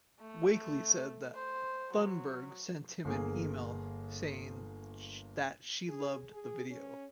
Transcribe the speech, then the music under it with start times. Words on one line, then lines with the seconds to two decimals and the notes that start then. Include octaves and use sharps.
Wakely said that Thunberg sent him an email saying that she loved the video.
0.21 A3
1.35 C5
1.94 F#3
3.05 G1 A#3 G#4
5.89 G#4
6.32 G#4
6.71 C#4